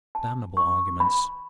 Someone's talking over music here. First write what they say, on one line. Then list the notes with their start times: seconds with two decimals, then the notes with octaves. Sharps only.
Damnable arguments!
0.15 A5
0.57 C#6
1.00 B5